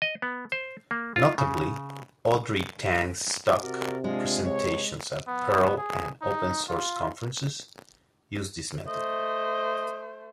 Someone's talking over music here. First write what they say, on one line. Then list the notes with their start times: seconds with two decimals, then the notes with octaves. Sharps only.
Notably, Audrey Tang's stock presentations at Perl and Open Source conferences use this method.
0.02 D#5
0.22 B3
0.52 C5
0.91 A#3
1.16 F4
1.38 C#3
3.62 C3 F#4 A#4 D5
4.04 G#3 D4 F4 G#4
4.43 C#2 C#5
5.27 B3
5.78 G#4
6.21 D#4
6.69 F4
8.88 A3 C5 D#5